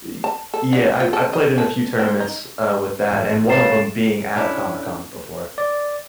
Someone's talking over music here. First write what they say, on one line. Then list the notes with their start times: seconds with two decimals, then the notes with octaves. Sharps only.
Y yeah, I've I've played in a few tournaments, uh, with that, and one of 'em being at a Comic Con before.
0.24 A5
0.54 A4
0.73 D3
1.00 F4
1.13 A4
1.33 D#5
1.58 A4
1.99 C4
2.20 D#4
3.11 A1 G#2
3.49 C#3 A6 C7 E7
4.36 C#4 D4 E4
5.58 D5